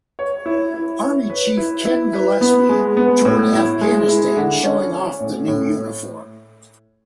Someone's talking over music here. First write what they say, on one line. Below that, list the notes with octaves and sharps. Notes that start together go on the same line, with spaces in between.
Army chief Ken Gillespie toured Afghanistan showing off the new uniform.
C#5
E4
E4
C#5
B4
E4
E4
B4
B3
G#3
B3
A2
E4
G#3
E4
D3
C#4
C#4
A2
A2